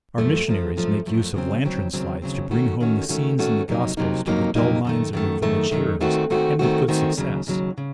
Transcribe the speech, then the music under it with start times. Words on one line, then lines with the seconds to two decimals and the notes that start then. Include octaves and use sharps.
Our missionaries make use of lantern-slides to bring home the scenes in the Gospels to the dull minds of their village hearers, and with good success.
0.18 F#2 F3 A3
0.48 F#2 F3 A3
0.77 F#2 F3 A3
1.06 F#2 F3 A3
1.34 D#2 C#3 F#3 C4
1.64 D#2 C#3 F#3 C4
1.93 D#2 C#3 F#3 C4
2.22 D#2 C#3 F#3 C4
2.51 D#3 A3 C#4 F#4
2.81 D#3 A3 C#4 F#4
3.09 D#3 A3 C#4 F#4
3.38 D#3 A3 C#4 F#4
3.68 F2 C3 F#3 A#3 D#4
3.97 F2 C3 F#3 A#3 D#4
4.26 F2 C3 F#3 A#3 D#4
4.55 F2 C3 F#3 A#3 D#4
4.85 F#2 D#3 A3
5.13 F#2 D#3 A3
5.42 F#2 D#3 A3
5.71 F#2 D#3 A3
6.01 D#3 A3 C4 F#4
6.30 D#3 A3 C4 F#4
6.59 D#3 A3 C4 F#4
6.88 D#3 A3 C4 F#4
7.17 D#2 C#3 F#3
7.47 D#2 C#3 F#3
7.78 C#3